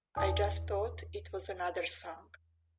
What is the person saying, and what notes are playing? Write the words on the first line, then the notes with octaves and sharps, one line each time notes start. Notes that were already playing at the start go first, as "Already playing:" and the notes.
I just thought it was another song.
E2 B2 D5 G#5 A5 D#6